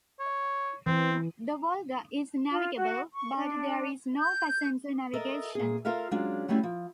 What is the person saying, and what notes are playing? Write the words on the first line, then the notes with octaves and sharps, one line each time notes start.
The Volga is navigable, but there is no passenger navigation.
C#5
E3 C4
F4
F#4
C#6
D4
G6
A4 A#4 D#5 E5
A#2 G#4
F4 A4 A#4 E5 F5
F#3 G#3 C#4 D4 F4
F#3 G3 A3 C#4 E4
F3